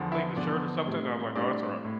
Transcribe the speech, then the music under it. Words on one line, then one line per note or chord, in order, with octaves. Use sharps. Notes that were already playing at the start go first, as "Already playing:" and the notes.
clean the shirt or something?" I was like, "No, it's alright."
Already playing: E2 D3 F3 B3
E4 E5
E2 D3 F3 B3 D4 D5
A2 G3 C4
A2 G3 C4 D4 D5
A2